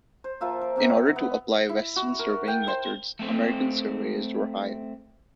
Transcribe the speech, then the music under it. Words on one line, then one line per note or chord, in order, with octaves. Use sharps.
In order to apply Western surveying methods, American surveyors were hired.
C5
F3 A#3 F4 E5
A#4
C3 C4 G4 B5
F#5 C#6
B3
E4
F#4
A#4
G5
C5
A3 C4